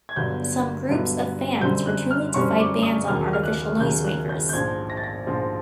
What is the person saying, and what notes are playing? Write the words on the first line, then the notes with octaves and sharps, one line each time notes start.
Some groups of fans routinely defy bans on artificial noisemakers.
G#6
G1 G2 D3 F#3 B3 G6
G1 G2 D3 F#3 B3
F#2 D3 G3 C4 G6
F#6
F6
F#2 D3 G3 C4 C#6
D6
D#6
D#2 C#3 F#3 A#3 F6
F6
F#6
D#2 C#3 F#3 A#3 G6
F#6
G6
G6
A#1 G#2 F3 G#6
A#6
A6
A#6
A#1 G#2 F3